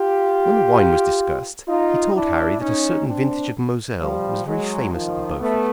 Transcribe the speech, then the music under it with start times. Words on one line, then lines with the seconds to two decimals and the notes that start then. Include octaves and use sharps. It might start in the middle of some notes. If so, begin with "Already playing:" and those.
When the wine was discussed he told Harry that a certain vintage of Moselle was very famous at the Beaufort.
Already playing: F4 G4
1.68 D#4 F4
2.14 D4 E4
2.61 C#4 D#4
3.07 C4 D4
4.00 F3 G3
4.46 F#3 G#3
4.93 D#3 F3
5.40 A3 B3